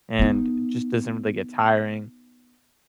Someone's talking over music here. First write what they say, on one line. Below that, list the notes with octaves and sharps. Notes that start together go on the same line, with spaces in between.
and it just doesn't really get tiring.
B3 D#4